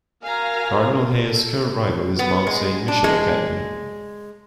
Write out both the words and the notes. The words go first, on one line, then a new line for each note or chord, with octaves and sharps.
Cardinal Hayes' current rival is Mount Saint Michael Academy.
F#4 A#4 F5 G#5 A#5
A4
B3
G#3
D4
G#3